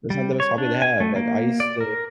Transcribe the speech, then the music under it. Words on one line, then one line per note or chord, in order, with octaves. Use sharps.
that's not the best hobby to have. Like, I used to
G3
C#5
D4
G#5
A3
A#3
D5
A#4